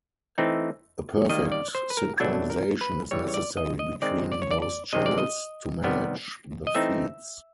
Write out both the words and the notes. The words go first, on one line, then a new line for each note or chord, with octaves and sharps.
A perfect synchronisation is necessary between those channels to manage the feeds.
E3 A3 C4 D#4
D#3 G3 A#3 D#5
D5
C5
B4
A#4
B2 F#3 A3 D4 A4
A#4
B4
C#3 E3 G3 C#5
C#5
D5
D#5
D#5
D#3 G#3 C4 D#4 D5
D5
C#5
D5
D5
C3 D#3 G#3 C4 D#5
D5
D#5
C3 D#3 G3 B3
D#5
E3 A3 C4 D#4 E5